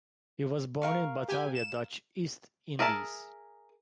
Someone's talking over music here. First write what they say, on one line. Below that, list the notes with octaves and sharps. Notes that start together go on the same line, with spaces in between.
He was born in Batavia, Dutch East Indies.
A#4 F5 C#6
G4 G#5
E7
G#4 A#4 E5 A5